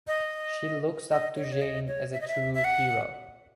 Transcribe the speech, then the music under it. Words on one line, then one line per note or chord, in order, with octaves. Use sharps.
She looks up to Jane as a true hero.
D#5
D#5
C#5
D#5
C#5
D#5
C#5
E5
D#5
E5
E5
F#5